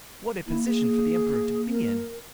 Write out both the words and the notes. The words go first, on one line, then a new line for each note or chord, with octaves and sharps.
What a position for the Emperor to be in!
A#3 E4
G#4
A#4